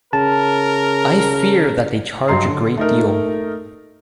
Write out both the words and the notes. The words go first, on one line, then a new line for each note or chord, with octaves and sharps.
I fear that they charge a great deal.
C#3 A#4 A5
G2 F#3 D#5 A#5 C6 C7
D3
A3 D#4 A#4